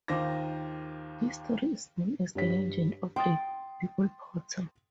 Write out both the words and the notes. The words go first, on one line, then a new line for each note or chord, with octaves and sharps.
This story is known as the legend of The People Potter.
D#2 D#3 F4 C5 D6 A#6
G2 C#5 B6
G5 C6 D#6 A6